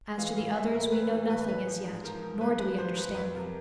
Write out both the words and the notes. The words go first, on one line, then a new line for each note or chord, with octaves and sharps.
As to the others we know nothing as yet, nor do we understand them.
E3 F5
A2 F5
E3 E5
A2 A#4
A2 B4
E3
A2 B4
E3 B4
F3
G#2
F3 A#4
G#2
G#2 B4
F3 B4
F3 C5
F3 B4
F2 B4
C3 A#4